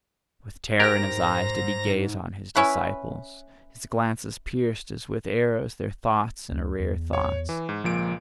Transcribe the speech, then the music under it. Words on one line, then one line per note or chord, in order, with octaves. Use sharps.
With terror in his eyes did he gaze on his disciples; his glances pierced as with arrows their thoughts and arrear-thoughts.
G#2 G4 A#4 C5 A#5 A#6
C#4 E4 B4
D2
E2
C#5
E3
G#2
C#2 A#2 F3 D7